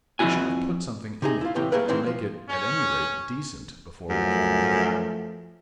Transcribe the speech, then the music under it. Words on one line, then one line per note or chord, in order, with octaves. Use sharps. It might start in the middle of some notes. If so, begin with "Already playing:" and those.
"He should have put something in it to make it at any rate decent before we came in."
F2 D#3 E4 F#4 G#5
C3 D#4 G#4
E4 F4
A2 C3 E3 G5
G3 A3 A#3 G#4 A#4 B4
G#2 D#3 E3 G#3 C4
F3
C#4
F#2 F3 A3